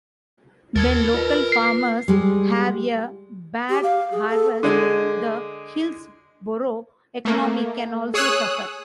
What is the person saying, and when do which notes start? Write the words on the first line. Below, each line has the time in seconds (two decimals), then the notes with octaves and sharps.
When local farmers have a bad harvest, the Hillsboro economy can also suffer.
0.76 D#2 A#4 A5 G#6 A6
1.14 F4 B4
1.52 C7
2.08 G3 G#3
3.69 G4
3.84 F5
4.12 G#4
4.30 A4
4.63 D3 G#3
7.25 A3 A#3
8.14 G#4 C#5 D#6 E6 F#6